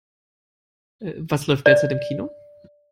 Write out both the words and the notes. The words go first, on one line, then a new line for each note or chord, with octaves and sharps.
Was läuft derzeit im Kino?
D5